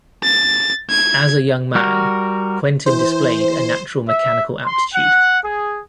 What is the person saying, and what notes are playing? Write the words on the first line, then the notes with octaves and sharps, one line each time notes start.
As a young man, Quentin displayed a natural mechanical aptitude.
A6
G#6
G3 F#4 A#4
E3 C5
E5
C6
F#5
G#4